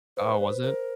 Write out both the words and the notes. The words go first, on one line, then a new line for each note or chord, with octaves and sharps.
Oh, was it?
B4 C5
C5
A#4 C5